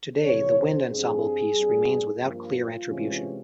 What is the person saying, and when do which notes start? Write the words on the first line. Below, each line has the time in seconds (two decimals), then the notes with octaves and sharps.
Today the wind ensemble piece remains without clear attribution.
0.23 F2 C3 E3 C#5
0.57 C5
0.89 G2 F3 C4 G#4
1.56 G2 G3 C4
2.22 G2 F3 A#3 F4
2.87 C3 E3 G#3 C#4